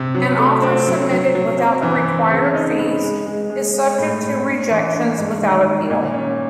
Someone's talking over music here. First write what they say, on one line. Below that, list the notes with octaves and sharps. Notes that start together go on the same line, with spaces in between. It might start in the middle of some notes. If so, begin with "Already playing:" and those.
An Offer submitted without the required fees is subject to rejections without appeal.
Already playing: C3
F#3
A3
C4
F#3
F#3
F#3
C4
E3
C4
C#3
D#4
B3
G#3
G#3
G#3
G#3
A2
A2
D4
E3
D4
G#2
D#3
G3
A#2
C#4